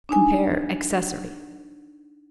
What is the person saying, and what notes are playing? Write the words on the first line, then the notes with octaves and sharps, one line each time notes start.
Compare ACCESSORY.
D4 D#4 G#5